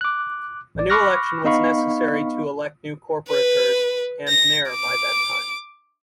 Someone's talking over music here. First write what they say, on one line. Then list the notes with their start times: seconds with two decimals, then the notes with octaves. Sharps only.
A new election was necessary to elect new Corporators and Mayor by that time.
0.01 D6 F#6
0.75 A1 D5
0.90 B5 C#6 D6 F6 F#6 A#6
1.44 B3 D#4 D#5 F5 B5 C#6
3.29 B4
4.28 A#6
4.70 D6